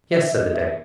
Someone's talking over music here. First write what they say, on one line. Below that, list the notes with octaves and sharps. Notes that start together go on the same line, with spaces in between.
"Yes," said the dame.
E5
D#5
D#5
E5